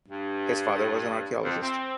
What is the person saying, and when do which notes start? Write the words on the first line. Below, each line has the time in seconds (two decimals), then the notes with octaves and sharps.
His father was an archaeologist.
0.09 G2
1.42 F2
1.61 C4